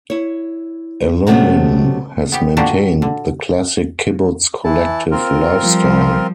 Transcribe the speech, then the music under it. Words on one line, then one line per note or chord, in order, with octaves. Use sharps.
Alumim has maintained the classic kibbutz collective life style.
E4 C#5
C3 F#3 G#3 A3 B3 C#4
B3 G4
A#2 D3 A#3 D4 F#4 G4
D3
E3 E4 A5
C4 F4 A#4
F3 G3